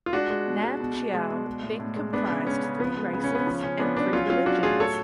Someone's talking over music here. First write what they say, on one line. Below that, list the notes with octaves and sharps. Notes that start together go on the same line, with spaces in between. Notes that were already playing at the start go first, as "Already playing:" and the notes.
Nam Chiao then comprised three races and three religions.
F4
G#3 D4 F#4
G#3
B2
G#3
B2
B2
G#3
B2
G#3
A2
A2
G#3
G#3 B3 D4
C#3
G#3 C#4
C#3
F3 B3
G#3
C#3 B3
C#4
C#3 B3
F3 C#4
C#3 C#4
F3 B3 D4
C#3 B3 D4
F#3 C#4 F4
F#3 C#4 F4
F#3 D4 F#4
A2 F4 G#4
F#3 A4 C#5